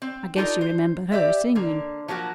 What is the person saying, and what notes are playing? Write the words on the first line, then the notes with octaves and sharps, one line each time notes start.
I guess you remember her singing.
C4
D4 D#4 F4 G#4 A4
C5
G4 D5 E5
D3 A#3
F3 F#3 A#3 F#4